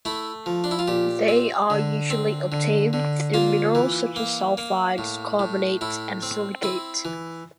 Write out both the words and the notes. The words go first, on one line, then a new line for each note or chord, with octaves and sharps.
They are usually obtained through minerals such as sulfides, carbonates, and silicates.
A3 E4
F3
D4
E4
F4
A#2 G4
C4
D3
C4
D3
D3
A#3 F4
E3
A#3
A#3
A2
A2
A2 E4
C4
C4 E4
E3